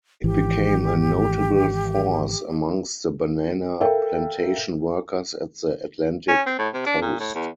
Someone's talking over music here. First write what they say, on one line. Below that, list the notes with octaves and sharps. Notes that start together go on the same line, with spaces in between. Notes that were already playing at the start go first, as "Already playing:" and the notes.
It became a notable force amongst the banana plantation workers at the Atlantic coast.
G#1 E3 G4
A4 A#4 E5 F5 G5
C#4
C4
A2
C3
D4
A#2
A2
E2